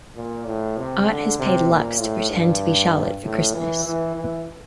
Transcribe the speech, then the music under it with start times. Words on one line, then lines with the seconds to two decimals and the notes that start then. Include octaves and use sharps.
Art has paid Lux to pretend to be Charlotte for Christmas.
0.16 A#2
0.46 A2
0.77 C3
1.08 D3
1.39 C3
1.70 A#2
2.00 A2
2.31 G2
3.23 A2
3.54 E3
3.85 E3
4.15 E3